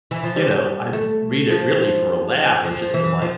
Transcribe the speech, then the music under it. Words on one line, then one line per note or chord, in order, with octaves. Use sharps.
you know, I read it really for a laugh or just I'm, like,
E3
F3
G3
A3
F3
F3
E3
F3